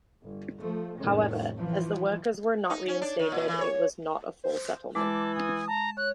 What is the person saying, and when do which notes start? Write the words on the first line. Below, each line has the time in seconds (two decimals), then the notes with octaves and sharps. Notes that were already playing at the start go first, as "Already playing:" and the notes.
However, as the workers were not reinstated, it was not a full settlement.
0.23 G1
0.58 F3 A3
0.98 C2 F2 A2 C3 D#3 C#4
1.55 E3 F3
2.70 D#4
2.88 C#4
3.02 D4
3.19 D#3
3.32 A#2
3.48 E3
3.61 C#5
4.44 C5
4.95 E3 G#3 A5 D6
5.35 G#5 D#6
5.68 A5 A#5
5.97 C#5 F#6